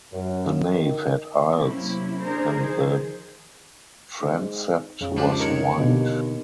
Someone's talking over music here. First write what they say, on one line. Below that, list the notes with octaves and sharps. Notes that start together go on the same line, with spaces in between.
The nave had aisles and the transept was wide.
F#2
D#3
C3 F#3 A#3 C#4 E4
D4 G#4 A#4 C5
D#3 F3 G#4 C5
G#2
F2 C#3
C#2 F3 G3 D4
D#3 A#4 C#5
D#2 B2 D3